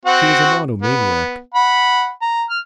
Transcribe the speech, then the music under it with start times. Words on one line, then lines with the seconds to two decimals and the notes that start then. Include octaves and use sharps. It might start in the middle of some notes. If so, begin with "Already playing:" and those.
She was a monomaniac.
0.05 C4 F#4 F#5
0.82 B3
1.54 F#5 B5
2.22 A#5
2.50 F6